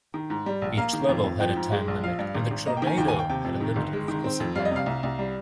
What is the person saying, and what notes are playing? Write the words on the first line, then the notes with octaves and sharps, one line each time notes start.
Each level had a time limit, and the Tornado had a limited fuel supply.
D#3
G#2
G3
A#1
A#3 F5
D#3
F2
F2
F3 G5
G#2
G#3
A#1
F3 F5
G2
G#1
G#1
A#3 D#5
G5
D#3
G#5
D#2 G5
G#5
D#2
G5
C3 G5
F2
D#3
G1
G#3
D#3
C4
F2
G3 F5
D#5
C3 F5
C2
C2
G3